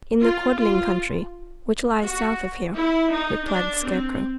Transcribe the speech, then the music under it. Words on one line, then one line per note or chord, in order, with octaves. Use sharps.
"In the Quadling Country, which lies south of here," replied the Scarecrow.
F4
F4
F#4
E4
D#4
D4
C4